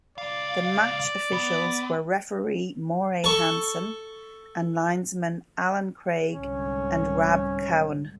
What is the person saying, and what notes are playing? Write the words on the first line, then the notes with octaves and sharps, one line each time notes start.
The match officials were referee Moray Hanson and linesmen Alan Craig and Rab Cowan.
C#2 D5 F5
B3
A4 C#6
C2 G#2 D3 C#4